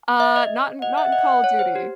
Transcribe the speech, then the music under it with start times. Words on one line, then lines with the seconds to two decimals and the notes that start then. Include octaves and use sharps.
Uh, not in not in Call of Duty.
0.20 E5
0.36 D#5
0.82 D#5 F#5
0.98 E5
1.12 D#5
1.44 C#5
1.59 C5
1.75 G4